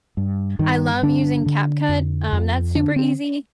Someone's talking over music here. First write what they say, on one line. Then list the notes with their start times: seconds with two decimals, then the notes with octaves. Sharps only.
I love using Cap Cut, um, that's super easy,
0.17 G2
0.59 G2 D#3
1.03 D3 D4
1.46 D3
1.89 F2
2.33 F2
2.75 D3 D4
2.96 C4